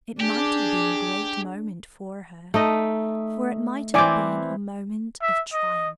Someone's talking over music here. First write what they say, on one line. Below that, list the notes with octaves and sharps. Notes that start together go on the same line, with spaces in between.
It might have been a great moment for her, for it might have been a moment of triumph.
D4 G4 G#4
A3 D#4 D#5
E3 C4 D5 G#5 D6
E5
D#5